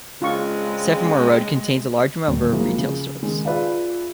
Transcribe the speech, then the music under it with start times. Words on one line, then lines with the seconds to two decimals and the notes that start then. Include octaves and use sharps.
Semaphore Road contains a large number of retail stores.
0.22 C#3 G#3 C4 D4 F4 C#6
2.28 D#1 D2
2.53 F3 F#3 G#3 A#3 E4 F4
2.78 C#3
3.23 D#3 G#3 C#4
3.45 F4 G#4 B4 D5 E5 F5